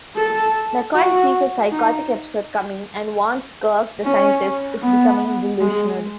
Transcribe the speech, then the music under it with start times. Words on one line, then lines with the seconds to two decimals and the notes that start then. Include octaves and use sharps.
McCoy sees a psychotic episode coming, and warns Kirk the scientist is becoming delusional.
0.16 A4
0.94 F#4
1.72 D#4
4.04 C#4
4.83 B3
5.61 G#3